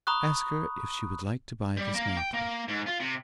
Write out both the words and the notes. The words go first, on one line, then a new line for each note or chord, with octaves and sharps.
'Ask her if she would like to buy this mantle.'
A#5 B5 C#6 D#6 F#6
G3
A#3
G5
A#3
G#2
F4
C3